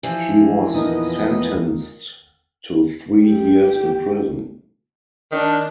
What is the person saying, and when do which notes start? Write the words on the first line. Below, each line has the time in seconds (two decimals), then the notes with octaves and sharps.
He was sentenced to three years in prison.
0.03 E3 F3
0.74 E2 A#2 B3 D#4 A#4 D#5
3.24 G4
5.32 D#3 D4